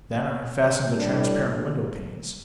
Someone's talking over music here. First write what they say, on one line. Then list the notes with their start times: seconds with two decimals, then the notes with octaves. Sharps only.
Then I fastened the transparent window panes.
0.93 A2 G3 D4